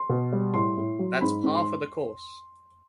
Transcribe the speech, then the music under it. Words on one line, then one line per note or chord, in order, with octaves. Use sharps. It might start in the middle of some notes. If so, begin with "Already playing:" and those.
That's par for the course.
Already playing: C6
B2
G3
A2 C6
A2
F#3
G#2 B5
G#2
C6